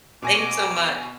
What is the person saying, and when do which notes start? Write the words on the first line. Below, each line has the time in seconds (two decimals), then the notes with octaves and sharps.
Thanks so much.
0.22 B2 G#5 D6 A#6